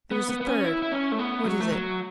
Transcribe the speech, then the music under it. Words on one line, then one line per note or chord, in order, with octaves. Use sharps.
There is a third. What is it?
B3
B3
B3
C#4
E4
E4
C#4
A3
B3
F#3
A3
F#3